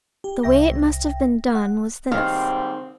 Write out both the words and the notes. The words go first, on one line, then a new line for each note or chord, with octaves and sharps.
The way it must have been done was this.
G4
C2 E5 G5 A#6
F#5
D#2 G#2 D#3 G3 C4 F5